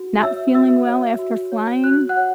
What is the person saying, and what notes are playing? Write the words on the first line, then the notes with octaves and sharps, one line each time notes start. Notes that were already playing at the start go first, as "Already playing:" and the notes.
not feeling well after flying,
Already playing: F#4
C#5 E5 E6
F#4 E5 E6
C#5
F#4
C#5
F#4 F#6
F#5 F#6
C#5